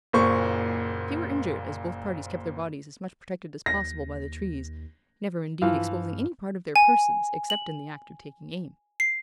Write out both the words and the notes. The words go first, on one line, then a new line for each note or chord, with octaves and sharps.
Few were injured, as both parties kept their bodies as much protected as possible by the trees; never, indeed, exposing any part of their persons except in the act of taking aim.
F#1 A#2 C5 C#6
D#2 A#6
G2 E3 F3 F5
G#5
F#7
C7